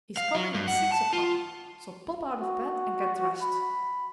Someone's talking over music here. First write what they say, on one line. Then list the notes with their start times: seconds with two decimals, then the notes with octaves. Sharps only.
He is coming at six o'clock; so pop out of bed and get dressed.
0.17 F5
0.35 F#3
0.54 G2
0.68 F#5
0.92 A5
1.13 F4
2.41 F#4
3.42 B5